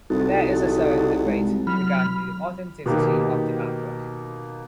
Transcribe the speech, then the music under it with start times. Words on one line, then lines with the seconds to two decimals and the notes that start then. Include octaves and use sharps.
There is a certain debate regarding the authenticity of the artwork.
0.10 C2 D#4 F#4 A4
1.26 G#3
1.67 F#3 B5 F6
2.86 B2 D#3 A#3 D#4 G4